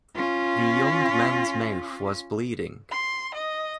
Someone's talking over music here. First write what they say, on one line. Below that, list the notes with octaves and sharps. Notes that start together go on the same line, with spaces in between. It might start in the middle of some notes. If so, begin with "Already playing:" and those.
The young man’s mouth was bleeding.
C#4 F4
C6
D#5